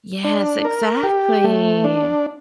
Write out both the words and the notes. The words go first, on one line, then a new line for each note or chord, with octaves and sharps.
Yes, exactly.
D4
A#4
G4
A3
D4